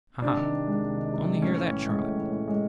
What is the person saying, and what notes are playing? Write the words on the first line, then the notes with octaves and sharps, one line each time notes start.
'Ha! ha! only hear that, Charlotte!'
C3 D4
D#3
C3
G#3
C3
D#3
C3
G#3
A2 C#4
E3
A2
G#3
A2
E3
A2
G#3